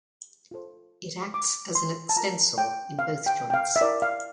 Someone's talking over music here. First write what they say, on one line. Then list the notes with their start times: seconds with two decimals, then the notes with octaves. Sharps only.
It acts as an extensor in both joints.
0.51 F4 A4 C5
1.34 D6
1.75 C6
2.09 A5
2.16 F4 A#4 A#5
2.58 G5
2.99 F5
3.26 G5
3.50 G5
3.54 F5
3.76 E5
3.81 E4 A#4 D5
4.02 F5